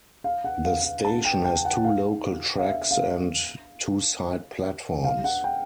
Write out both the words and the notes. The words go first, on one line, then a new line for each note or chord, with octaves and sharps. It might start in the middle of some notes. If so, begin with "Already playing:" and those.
The station has two local tracks and two side platforms.
F5
F#5
F5
F5
A5
G5
G5
F#5
F5
F5
E5
F5
F5
F#5
G5